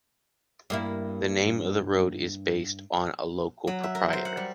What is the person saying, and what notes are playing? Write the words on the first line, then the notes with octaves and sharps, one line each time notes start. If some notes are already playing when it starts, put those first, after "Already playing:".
The name of the road is based on a local proprietor.
G2 A#3 E4
F#3
E5
A#4
C5
F#5
G3